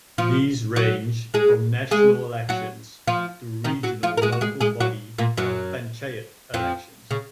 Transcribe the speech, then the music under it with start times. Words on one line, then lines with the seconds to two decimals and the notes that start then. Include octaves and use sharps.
These range from national elections to regional local body or "panchayat" elections.
0.18 F3 F4
0.76 F#3 F#4
1.34 G#3 G#4
1.91 G#3 G#4
2.49 F#3 F#4
3.07 F3 F4
3.64 D#3 D#4
3.83 F#3 F#4
4.03 F3 F4
4.17 A#4
4.22 G#3 G#4
4.32 F#4
4.41 G#3 G#4
4.61 G#3 G#4
4.80 F#3 F#4
5.18 A#2 A#3
5.37 F#2 F#3
6.54 F2 F3
7.11 C#3